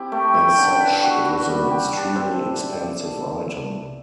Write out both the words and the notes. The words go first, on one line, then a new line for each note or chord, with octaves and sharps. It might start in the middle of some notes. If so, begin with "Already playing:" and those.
As such, it was an extremely expensive item.
Already playing: C4 E4 G4
A3 G5
E4
D3
B4
F#4
F#4
G3
G4
D4
C4